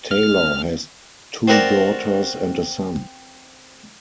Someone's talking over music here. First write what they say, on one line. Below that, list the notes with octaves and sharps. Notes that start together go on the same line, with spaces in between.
Taylor has two daughters and a son.
F6
C4 F#4 A#4 D5 A5